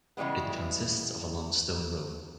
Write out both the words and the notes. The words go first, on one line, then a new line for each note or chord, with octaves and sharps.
It consists of a long stone row.
C#3 E3 G3 G#3 B3